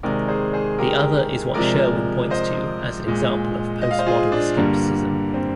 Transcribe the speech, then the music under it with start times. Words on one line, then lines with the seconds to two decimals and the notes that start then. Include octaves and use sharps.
The other is what Sherwin points to as an example of postmodern skepticism.
0.03 C3 D#3 G#3 A#4 D5
0.28 G#4 C5
0.53 G#4 C5
0.79 G4 A#4
1.54 C3 F3 G#3 A#4 D5
2.30 C5 D#5
3.07 A#2 G#3
3.81 D#5
3.91 F5
3.98 C5 D#5
4.07 F4 G#4
4.32 D4 F4
4.57 G2 D3 G3 A#3
5.34 C4